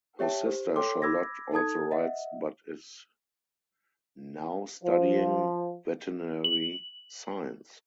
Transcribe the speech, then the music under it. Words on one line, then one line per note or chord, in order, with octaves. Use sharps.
Her sister Charlotte also rides but is now studying veterinary science.
G4 C#5 E5 G5 A5
G4 C5
A4 C#5 G5 C6 D6
B5 D6 E6 G#6 A#6
D#4 A4 A5 D#6 G#6
D#5 E5 F#5
F3
F#7